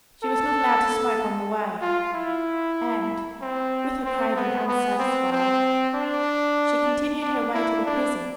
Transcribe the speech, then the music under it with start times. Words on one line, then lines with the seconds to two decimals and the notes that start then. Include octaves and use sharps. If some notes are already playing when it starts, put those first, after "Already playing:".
She was not allowed to smoke on the way, and, with her craving unsatisfied, she continued her way to the prison.
0.23 A4
1.81 F4
2.13 E4
3.41 C4
4.05 C4
4.36 B3
4.68 B3
4.99 C4
5.32 C4
5.94 D4
7.21 D4
7.54 E4
7.86 D4